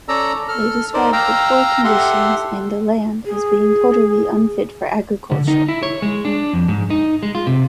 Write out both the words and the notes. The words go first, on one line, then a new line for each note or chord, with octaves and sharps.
They described the poor conditions and the land as being totally unfit for agriculture.
C#4 A4 D5 A#5 E6
A4 F6
D#4 A#4 C5 D5
F5 G5 A#5 E6
G4 A4 E5 F#5 C6
G#4
D3
D#4
E4
C#5
G#3
D4
F2
G#2
D#4
G#3
F4
C3